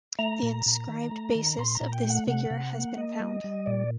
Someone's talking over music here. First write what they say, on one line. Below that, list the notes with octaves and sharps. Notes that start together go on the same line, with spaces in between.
The inscribed basis of this figure has been found.
A3 A#5
A#2
A#2
D#3
A3
D#3
A#2 C6
A#5
A#2
G5
A3
F#5
C3 F#5
C3
A#3
A#3 D#5
G3
G3
A#2 D5